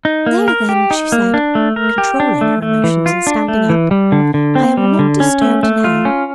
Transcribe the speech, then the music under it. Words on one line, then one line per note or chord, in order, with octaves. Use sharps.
"There then," she said, controlling her emotion, and standing up; "I am not disturbed now."
D#4
A#3
A#4
G4
D#4
A#3
D4
A3
A#4
G4
D4
A3
A3
E3
F4
D4
A3
E3
G3
D3
D3
C4
G3
D3
C#4
A3
A3
F4
C#4